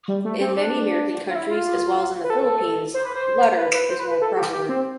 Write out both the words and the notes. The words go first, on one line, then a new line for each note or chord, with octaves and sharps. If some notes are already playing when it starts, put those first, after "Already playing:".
In many American countries as well as in The Philippines, 'Letter' is more prevalent.
G3
A3
C4
D4
F4
E4
F4
B4
A4
C5
B4
C5
B4
B4
C5
B4
B4
A4
G4
G4
C4